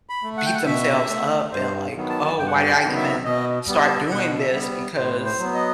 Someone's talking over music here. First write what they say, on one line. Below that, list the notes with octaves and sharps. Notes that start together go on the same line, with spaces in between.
beat themselves up and like, "Oh, why did I even start doing this? Because
B5
A3
F#5
G5
F#5
B2 E5
A3
G2 C5
D#3 F#3 B3
A5
G2 G5
F#5
G5
G5
D#3 F#3 B3
E5
B2 D#5
G3 B3
A5
B2 F#5
E5
G3 B3
A2 C5
C5
F#3 B3
D#5